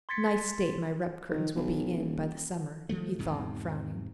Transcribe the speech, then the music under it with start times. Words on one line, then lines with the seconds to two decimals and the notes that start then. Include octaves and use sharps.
"Nice state my rep curtains will be in by the summer!" he thought, frowning.
0.09 C6 G#6 A6 B6 C#7
1.31 D#3
1.56 B1
1.97 D#1
2.89 D#3 F3 G#3 A3
3.19 E2 G#2 C3